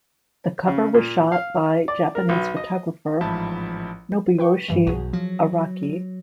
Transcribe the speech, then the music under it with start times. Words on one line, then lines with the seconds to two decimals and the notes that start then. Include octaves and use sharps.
The cover was shot by Japanese photographer Nobuyoshi Araki.
0.67 C#3
0.94 A#2
1.32 F5
1.88 D5
2.15 A#4
2.29 B1
2.57 D#5
3.21 A1 G#2 F3 E5 A5 B5
4.39 B4 G5 C#6
4.68 G2 E3 G3
4.87 B1 F#4 G#4
5.13 F3 F#3